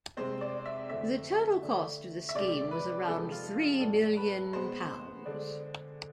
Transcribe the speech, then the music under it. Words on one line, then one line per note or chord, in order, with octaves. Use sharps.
The total cost of the scheme was around three million pounds.
C3 G#3 C4 C5
D5
E5
F2 D3 A3 E5
D3 A3 D4
E5
C3 G#3 D4 D5
B4
C3 F3 G#3 A4
F4
F4
A2 G#3 D4 A4
B4
B2 G#3 B3 C5
D3 G#3 D4